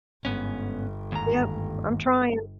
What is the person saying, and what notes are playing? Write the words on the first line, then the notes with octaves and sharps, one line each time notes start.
Yep, I'm trying.
G1 G#2 B3 C#4
D#2 G#2 A#5